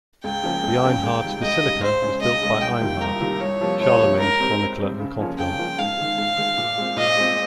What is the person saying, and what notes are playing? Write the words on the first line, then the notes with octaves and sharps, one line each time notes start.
The "Einhards-Basilika" was built by Einhard, Charlemagne's chronicler and confidant.
C#2 G5
C#3 F3 A#3 C#4
C#2
C#3 F3 A#3 C#4
C#2
C3 D#3 G3
C#2 D#5
C3 D#3 G3
C#2 C5
C#3 G#3 C#4
C#2 D#5
C#3 G#3 C#4
C2 G5
C3 D#3 A#3 F4
C2 A#4
C3 D#3 A#3 F4
C2 C#5
C3 F3 A#3
C2 C#5
C3 F3 A#3
G#2 A#4
G3 C4
G#2
G3 C4
C#3
F3 A#3 C#4 F4
C#3 G5
F3 A#3 C#4 F4
G#2 F5
D#3 G#3
G#2
D#3 G#3
A#2
G#3 C4
A#2 D#5
G#3 C4